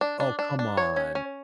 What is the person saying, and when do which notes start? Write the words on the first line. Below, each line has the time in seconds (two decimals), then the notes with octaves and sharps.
Oh, come on.
0.01 D4
0.20 D4
0.39 D4
0.59 D4
0.77 C#5
0.96 C#4
1.15 C#4